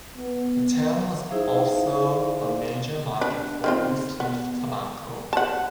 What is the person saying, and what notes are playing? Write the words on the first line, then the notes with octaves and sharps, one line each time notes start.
The town was also a major market for loose-leaf tobacco.
B3
D#4 E4 G#4 C5 E5 F5
D4 B4
D#3 C4 F4
B3
F#5 A5